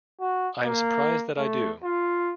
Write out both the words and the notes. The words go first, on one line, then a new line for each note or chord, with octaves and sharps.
I am surprised that I do.
F#4
A#3
A3
F4